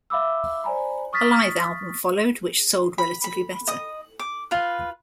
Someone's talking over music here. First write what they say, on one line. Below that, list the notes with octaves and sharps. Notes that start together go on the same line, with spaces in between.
A live album followed which sold relatively better.
E5 F5 B5 D6 E6
C5 D5 G#5 A#5 B5
C#6 D#6 F6 A6 B6
B5
B5
D#5 D#6
D6
F4 B4